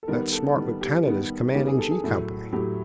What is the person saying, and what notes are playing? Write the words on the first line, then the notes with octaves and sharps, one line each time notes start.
That smart lieutenant is commanding 'G' Company.
A4
D#3 G3 B3 A#4
A4
D#3 G3 B3
G4
D#3 G3 B3 G4
D#3 G3 B3 G4
G#4
A4
G#4
A2 F#3 A3
A2 F#3 A3 G4